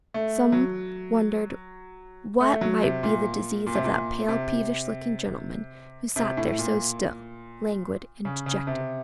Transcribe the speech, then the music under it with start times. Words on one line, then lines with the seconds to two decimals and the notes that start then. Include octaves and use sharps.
Some wondered what might be the disease of that pale, peevish-looking gentleman, who sat there so still, languid, and dejected.
0.14 A3
0.52 F#3
2.41 A3
2.61 F#3
2.82 C3
3.03 A#2
3.66 A#2
3.75 C3
3.84 A#2
4.28 C3
6.16 C3
6.37 A2
6.59 A#2
8.25 C#3
8.46 C#3
8.67 C3